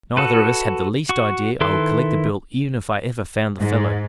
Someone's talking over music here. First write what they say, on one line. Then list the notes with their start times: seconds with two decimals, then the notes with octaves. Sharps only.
Neither of us had the least idea I would collect the bill even if I ever found the fellow.'
0.17 F#4 A4 B4
1.09 F#4 C#6
1.61 D#3 E4 A4 B4 C6
3.59 G#2